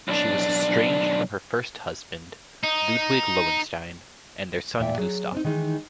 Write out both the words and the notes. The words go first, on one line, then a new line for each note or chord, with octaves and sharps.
She was estranged from her first husband, Ludwig Lowenstein, and their son Gustaf.
B1 D4
D#4
E2 A#2 E5 G5
F#3 G#4
C4 D4 D#4
D#3 E3 G#3 D#4